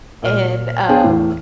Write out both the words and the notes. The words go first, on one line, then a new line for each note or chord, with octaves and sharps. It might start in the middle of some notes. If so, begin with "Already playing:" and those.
And, um,
A#2 F6
B3 D4 G#4 C#5 G5 G#5
E2 A2